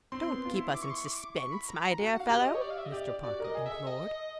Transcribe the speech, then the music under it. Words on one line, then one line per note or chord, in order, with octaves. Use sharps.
"Don't keep us in suspense, my dear fellow!" Mr. Parker implored.
C4 C6
B3
F4
E4
D6
C#6
C6
C#6
D6
C#6
B5
A#5
B5
A#5
F#4
F#5
F5
G4
D#5
C#5
D5
F5
E5
D#5
G4 D5
F#4 D5
A#4 D#5
G#4
E5
A4
D#5